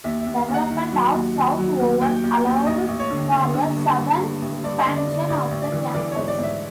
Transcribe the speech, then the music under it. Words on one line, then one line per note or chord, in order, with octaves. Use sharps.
Development of South Oval allowed for the southern expansion of the campus.
D#2 E5
E5
D#2
F5
D#2
F#5
D#3
F#3
D#2
D#3
F#3
D#2
D#2 G5
D#2
G5
D#2
A1 D#5
A1
C#5
D3
D3
D3
G2
G2
G2
A1
G2 D5
D#5
D3
D5
D3
D5
A1 D5
A1
D5
E3
E3 D5
G#2 C#5
D5
G#2 E5